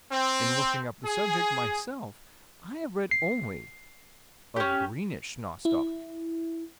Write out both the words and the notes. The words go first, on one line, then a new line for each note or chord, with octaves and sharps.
In looking up the subject, myself, I have read only of greenish nostoc.
C4
G#4
C7
C#4 G4
E4